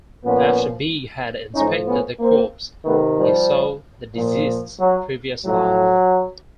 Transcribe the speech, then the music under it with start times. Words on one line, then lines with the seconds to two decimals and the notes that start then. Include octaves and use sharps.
After Big had inspected the corpse, he saw the deceased's previous life.
0.24 A#2 F3 B3 C#4
1.54 A2 F3 C#4 D#4
1.87 B3 C#4
2.19 A#3 C4
2.84 C3 D#3 A3 B3
3.16 F3 G3
4.14 A#2 F3
4.79 F#3
5.44 A2 F3 F#3